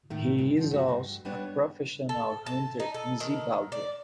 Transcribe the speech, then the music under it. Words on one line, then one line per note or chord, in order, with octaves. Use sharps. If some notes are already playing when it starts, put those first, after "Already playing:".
He is also a professional hunter in Zimbabwe.
A2 D#3 A3
G2
D3 D#3 F3
A3 F#4
G2
G3 B3 D4 B4 C#5
A4
A5
D#4
A4
D#3
D5